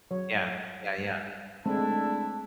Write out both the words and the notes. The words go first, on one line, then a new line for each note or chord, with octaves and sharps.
Yeah. Yeah, yeah.
F#3 C#5
G#3 A3 C4 D4 E4 A5